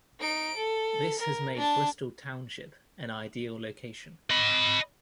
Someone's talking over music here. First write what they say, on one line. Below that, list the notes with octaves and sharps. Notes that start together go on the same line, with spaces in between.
This has made Bristol Township an ideal location.
D#4 D7
A4
A#4
D4 A5
D#5 B5